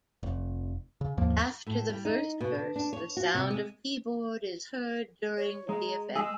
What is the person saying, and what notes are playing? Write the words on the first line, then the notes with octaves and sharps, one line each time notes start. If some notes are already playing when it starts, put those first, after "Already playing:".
After the first verse, the sound of keyboard is heard during the effect.
F1
C#3
D#2 G#2 F3 A#3
A2
G3
D#4
B2
D4
D4
C#5
F#4
C3
G#3
C#5
G#3 A#5
G#3 G#4 E6